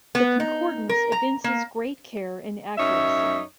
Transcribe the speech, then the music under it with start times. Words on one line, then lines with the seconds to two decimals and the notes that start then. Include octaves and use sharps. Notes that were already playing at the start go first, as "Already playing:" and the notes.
The Concordance evinces great care and accuracy.
0.15 B3
0.40 D#4
0.89 A#4
1.12 A#5
1.44 A#3
2.78 F#2 D#4 C#5 E5